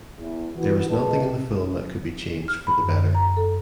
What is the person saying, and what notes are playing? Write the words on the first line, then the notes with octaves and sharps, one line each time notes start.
There is nothing in the film that could be changed for the better.
E2
E3 B3 F#4
F#1 F2 G#3 B4 D#5 A5
F6
B5
F#2
A#5
A4